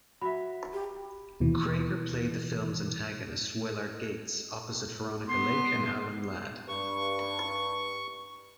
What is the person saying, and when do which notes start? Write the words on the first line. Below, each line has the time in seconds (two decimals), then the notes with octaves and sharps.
Cregar played the film's antagonist, Willard Gates, opposite Veronica Lake and Alan Ladd.
0.22 F#3 E5 B5
0.73 G4
1.40 D#2 B2 E3
5.28 B3 C6
6.68 G2 C#6